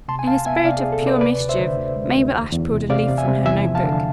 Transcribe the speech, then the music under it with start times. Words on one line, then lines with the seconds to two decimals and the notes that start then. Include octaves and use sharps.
In a spirit of pure mischief Mabel Ashe pulled a leaf from her note book.
0.08 C3 A5 C6
0.19 G#5
0.27 C2 F5 A5
0.46 B3 E5 G#5
0.64 C3 D5 F5
0.78 G#4
0.84 C2
0.92 A4
1.02 C3 B4 D5
1.21 D2 B4 D5
1.40 D2
1.49 C5 E5
1.59 D3
1.77 D2
1.96 G#3
2.15 D2
2.34 E2
2.53 E2
2.71 C3
2.90 C3 D5 F5
3.09 C3
3.18 E5 G#5
3.28 C3
3.46 E2 E5 G#5
3.65 F3
3.75 F5 A5
3.83 D3